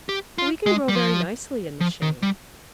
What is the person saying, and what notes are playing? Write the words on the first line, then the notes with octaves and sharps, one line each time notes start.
"We can grow very nicely in the shade."
G4
F4
G#3
G3
F3
F3
D#3
G3